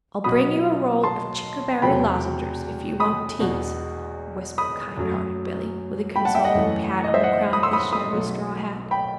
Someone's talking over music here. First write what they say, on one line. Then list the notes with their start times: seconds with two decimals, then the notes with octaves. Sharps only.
"I'll bring you a roll of chickerberry lozengers, if you won't tease," whispered kind-hearted Billy, with a consoling pat on the crown of the shabby straw hat.
0.24 B1 B2 F#3 B5 D#6
1.03 A5 C6
1.82 E1 E2 C3 F#3 A3 G5 B5
3.00 B5 D#6
3.40 E1 E2 B2
4.58 B5 D#6
4.97 F#2 F#3 A3
6.16 G5 B5
6.25 F#5 A5
6.35 E5 G5
6.44 D#5 F#5
6.55 F#2 E3 A3
7.04 D#5
7.14 C5 E5
7.24 D#5 F#5
7.53 B5 D#6
7.63 C6 E6
7.73 B5 D#6
7.93 B5 D#6
8.12 B1 B2 A3
8.91 G5 B5